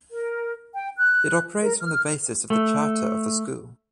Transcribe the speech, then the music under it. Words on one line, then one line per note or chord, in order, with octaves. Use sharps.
It operates on the basis of the charter of the school.
A#4
G5
F#6
A#4
F6
A3